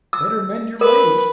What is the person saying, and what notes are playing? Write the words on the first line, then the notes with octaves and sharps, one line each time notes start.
Better mend your ways.
E6
A#4 B4